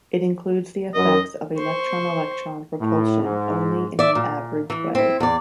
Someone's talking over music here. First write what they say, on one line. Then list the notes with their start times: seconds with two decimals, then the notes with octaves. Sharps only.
It includes the effects of electron-electron repulsion only in an average way.
0.94 F#2 A#4 D#5
1.57 C5 C#6
2.80 A2
3.23 G#2
3.99 D5 E5
4.15 A#2
4.70 E3
4.95 C4 E4
5.20 E2 D5